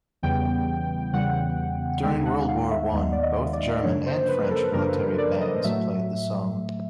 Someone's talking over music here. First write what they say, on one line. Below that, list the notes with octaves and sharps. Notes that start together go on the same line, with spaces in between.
During World War One, both German and French military bands played the song.
E2 C#3 E3 G3 B3 G5
E2 C#3 E3 G3 B3 F#5
D#2 D#3 G#3 B3 D#4 G5
F#5
F5
E5
D#2 D#3 G#3 B3 D#4 D#5
D5
D#5
D5
F#2 C#3 F3 A#3 D4 C#5
C5
B4
A#4
A4
F#2 C#3 F3 A#3 D4 A#4
D5
D#5
A2 F#3 A3 E5